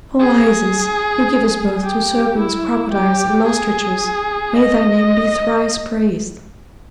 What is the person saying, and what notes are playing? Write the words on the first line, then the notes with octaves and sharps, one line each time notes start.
O Isis, who givest birth to serpents, crocodiles, and ostriches, may thy name be thrice praised.
G#4
G4
E4
G4
G#4
D#5